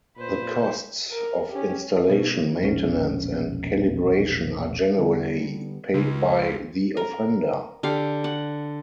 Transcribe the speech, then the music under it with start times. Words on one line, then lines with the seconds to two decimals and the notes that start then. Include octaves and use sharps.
The costs of installation, maintenance, and calibration are generally paid by the offender.
0.17 A#2 B4 C5
1.12 A#4
1.52 C#4 G4
2.09 B2
2.63 E1 A#1 C#4
4.99 D3 G3 B3
5.94 C#2
6.97 A#4
7.83 D3 G4 F5
8.24 F#5